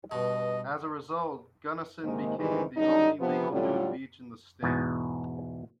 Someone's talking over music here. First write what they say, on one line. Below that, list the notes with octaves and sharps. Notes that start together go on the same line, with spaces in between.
As a result, Gunnison became the only legal nude beach in the state.
G2 B2 D#5
G#2 C3 D#3 G#3 A#3
G#2 C3 D#3 E3 G3 G#3
F#2 D3 G3 D#4
C3 F3 B3
A2 D3 F#3 G3 C#4 F4
E2 G#2 B2